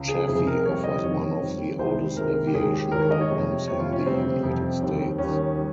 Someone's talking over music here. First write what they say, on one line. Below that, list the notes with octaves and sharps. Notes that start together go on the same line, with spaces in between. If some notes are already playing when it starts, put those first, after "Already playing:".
Chaffey offers one of the oldest aviation programs in the United States.
Already playing: C#2 C#3
G#4
F2 C3 G3 G#4
A#4
F2 C3 G3 C#5
D#5
F2 D#3 G3 C#5
F2 D#3 G3
C2 C3 D#3 G#3 C5
C2 C3 D#3 G#3 A#4
G4
D#2 D#3 G#3 G#4
G4
D#2 D#3 G#3 A#4
C#5
D#5
C#5
F2 C3 G3
F2 C3 G3 C#5
F4
C#4
F2 C3 G3 C4
F2 C3 G3
D#2 D#3 G3
D#2 D#3 G3 C#4
G3